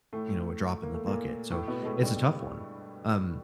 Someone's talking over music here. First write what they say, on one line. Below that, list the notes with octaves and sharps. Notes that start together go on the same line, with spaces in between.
you know, a drop in the bucket, so, it's a tough one, um
A2 A3
A#3
A3
A#2 A#3
A2 A3
B2 B3
G#3
A2 A3
G2 G3